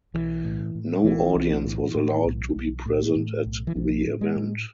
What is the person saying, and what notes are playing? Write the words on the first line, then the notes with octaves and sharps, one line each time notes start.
No audience was allowed to be present at the event.
B1 E3
A2
A2
B1 E3
B1
A2
A2
B1
B1
A2
A2
B1
E3
B1 F3
A2
G#3
A2